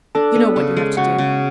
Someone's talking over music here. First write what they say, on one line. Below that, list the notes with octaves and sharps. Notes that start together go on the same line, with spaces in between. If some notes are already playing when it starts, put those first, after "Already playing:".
You know what you have to do.
D4 A4 A5
B3
C#3
G#3
C#3 F#4 F#5
C#3